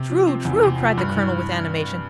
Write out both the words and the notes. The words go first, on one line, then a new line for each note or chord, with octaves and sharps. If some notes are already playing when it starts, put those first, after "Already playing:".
"True--true," cried the colonel, with animation.
Already playing: C3
F3
C4
E2
C3
F3
G2
E3